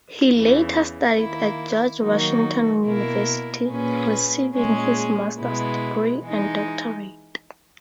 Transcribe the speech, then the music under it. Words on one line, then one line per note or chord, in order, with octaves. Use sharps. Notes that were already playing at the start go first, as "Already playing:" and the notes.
He later studied at George Washington University, receiving his master's degree and doctorate.
E2 C#3 E3
D#3 A#3 E4
D#3 F#3 A#3 D#4 F#4
B2 A#3 E4 A#4
A#2 A#3 C#4 G#4 B4
A#2 G#3 C#4 G#4
B2 G#3 B3 E4
E3 G#3 D#4